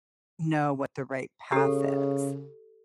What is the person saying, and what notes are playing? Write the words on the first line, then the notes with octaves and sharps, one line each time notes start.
know what the right path is?
C#3 G4 A4